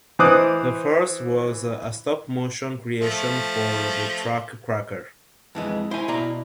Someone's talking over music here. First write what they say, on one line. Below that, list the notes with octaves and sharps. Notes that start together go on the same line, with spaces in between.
The first was a stop-motion creation for the track "Cracker".
E3 C5 D6 D#6 F#6
F3 A3
F2 E3 G#3
E4 C5 G#5
B2 D5 A#5